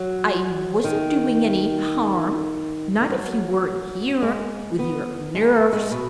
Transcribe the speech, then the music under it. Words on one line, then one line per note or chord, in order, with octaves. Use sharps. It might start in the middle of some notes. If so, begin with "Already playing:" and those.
"I wasn't doing any--harm; not if you weren't here--with your NERVES!"
Already playing: F#3
D#3
D#3
F#3
G#3
B3
G#3
G#3
B2